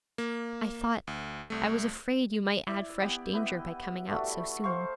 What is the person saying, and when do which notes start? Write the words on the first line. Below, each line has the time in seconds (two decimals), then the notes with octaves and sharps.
'I thought--I was afraid you might add fresh danger by coming out so soon.'
0.18 A#3
1.07 D2
1.50 C2 A3
2.67 E4 D5
3.01 B3 G4 F#5
3.33 E4 B4 D#5
4.09 G3 A3 F#4
4.64 C5 F5 C#6